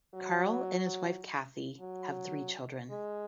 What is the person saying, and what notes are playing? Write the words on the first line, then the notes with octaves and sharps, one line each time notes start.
Karl and his wife Kathi have three children.
F#3
F#3
G#3